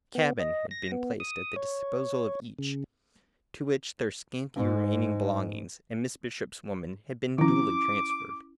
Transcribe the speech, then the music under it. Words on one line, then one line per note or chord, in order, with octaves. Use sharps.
A cabin had been placed at the disposal of each, to which their scanty remaining belongings and Miss Bishop's woman had been duly transferred.
B3
D#5
A#6
B3
D#6
C#5
C#3
G#2
D#3 F3 C#4 E4 D6